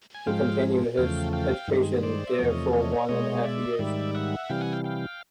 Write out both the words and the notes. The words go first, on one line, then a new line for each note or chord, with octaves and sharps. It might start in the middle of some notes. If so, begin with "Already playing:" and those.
He continued his education there for one and half years.
G#5
G#2 F3 G#3 F5 G5
E2 C#3 F3 A3 F5 G5
F5 G5
G2 D#3 G#3
C5 D5
E5
E2 C3 F3 A3 C#5 D#5
C#5 D#5
B2 G#3 C#5 D#5
D5 E5
D#5
G#2 D#3 G3 D5 E5
E5 F#5
C3 E3 G3 F5 G5
F#5 G#5
F5 G5
F5 G5